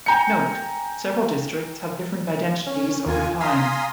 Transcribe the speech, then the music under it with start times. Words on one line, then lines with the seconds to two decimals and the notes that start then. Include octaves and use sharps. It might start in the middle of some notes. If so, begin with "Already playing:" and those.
Note: several districts have different identities over time.
0.06 G5 G#5 A#5 G6 C#7
2.67 C#4
3.06 D#2 F4 G#5
3.40 F5 G#5 A#5 C6 D#6 B6